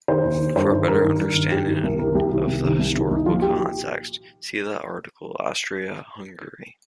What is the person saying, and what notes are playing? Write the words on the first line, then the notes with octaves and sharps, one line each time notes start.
For a better understanding of the historical context, see the article Austria-Hungary.
D#3 C5
D#2
D#3
G2 C5
D#3
G2 A#4
D#3
G2
D#3
G2 G4
D#3
C2 A#4
C3 D#3 A#4
C2 G4
C3 D#3
C2
C3 D#3
C2
C3 D#3
C2 D#4
A#2 F3 F4
G4